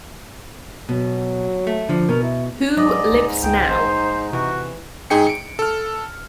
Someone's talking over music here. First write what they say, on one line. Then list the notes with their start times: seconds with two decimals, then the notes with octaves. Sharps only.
Who lives now?
0.89 B2 F#3
1.67 A3
1.89 D3 F3
2.09 B2 A#4
2.23 E4
2.77 G#2 F#3 D5 D#5
3.12 C2
3.44 C#2 D#4 G5
3.68 A#1 C5
4.33 C3 E3 F#4
5.10 G#2 D#4 G#4 G5 C#7
5.27 C#7 D7
5.59 A4 F6